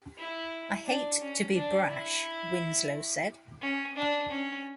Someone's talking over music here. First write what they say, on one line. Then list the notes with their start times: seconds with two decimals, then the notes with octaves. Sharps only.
"I hate to be brash", Winslow said.
0.17 E4
0.87 D4
1.21 C#4
1.55 D4
1.89 E4
3.61 C#4
3.96 D4
4.30 C#4